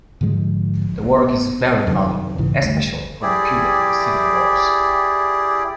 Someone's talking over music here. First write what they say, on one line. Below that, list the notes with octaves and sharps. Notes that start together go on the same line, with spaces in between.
The work is very valuable, especially for the period of the civil wars.
G#2 D3 F3 G#3
B3
F#2 C3 D#3
B1 G#2 C#3 E3
D2 G2
E4 G4 G#4 D5